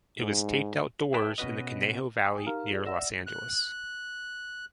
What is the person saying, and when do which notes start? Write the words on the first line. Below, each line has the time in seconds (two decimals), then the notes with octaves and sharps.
It was taped outdoors in the Conejo Valley near Los Angeles.
0.19 G#2
1.14 G#4 B4 C#5 E5 G5 A5
1.38 B2 C#4 F#4 B4 D#5
2.25 G5 G#5 D#6
2.47 D#4 G4 A#4 F5 A#5 F6
2.71 F4 G#4 D5
2.86 D5 E5 F#5 E6 A#6 E7
3.27 F#6